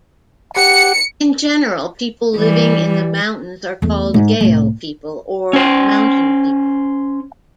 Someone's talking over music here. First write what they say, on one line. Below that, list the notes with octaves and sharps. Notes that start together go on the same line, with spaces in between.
In general people living in the mountains are called gayo people or mountain people.
G4 F#5 C#7
E3 G3
E2 A3
G#2
C2 A2
C#4 C5